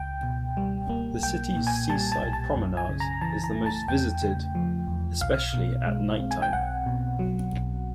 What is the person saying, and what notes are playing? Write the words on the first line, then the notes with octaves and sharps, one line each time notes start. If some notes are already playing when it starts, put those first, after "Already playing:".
The city's seaside promenade is the most visited, especially at night-time.
Already playing: C#2 G5
B2
G3
A#3
B1 G5
A#2
G#5
G3 A5
A5
B1
A5
F#2
G#5
C#3
A#5
E3 A5
A#5
A3
A5
E2 G5
C#3
F3
E2
B1 F5
B2
G#3
C4
G#5
G5
B1 F#5
B2
F#3
B1